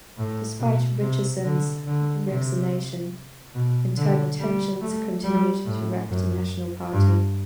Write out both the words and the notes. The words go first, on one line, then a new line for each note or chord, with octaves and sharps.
Despite Richardson's resignation, internal tensions continued to wrack the National Party.
A2
B2
C3
D3
D3
C3
B2
D3
G3
A3
G3
A2
F#2
G2